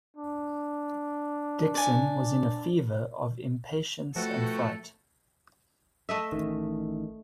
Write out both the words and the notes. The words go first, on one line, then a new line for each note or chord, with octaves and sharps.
Dickson was in a fever of impatience and fright.
D4
D5 G#5
F3 A3 F#4 A4 B4 G5
A3 D#5 E5
A1 D#3